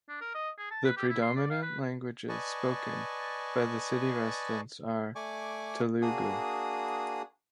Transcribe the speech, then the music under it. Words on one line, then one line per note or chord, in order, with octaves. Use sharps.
The predominant languages spoken by the city residents are, Telugu.
D4
A#4
D#5
G#4
A5
B4
G4
E4
C6
D5
F5
B4
B4 D5 D#5 G#5 A5 C#6
A3 D5 G#5 C#6 D6
A#3 D4 F#4 G#4 D#6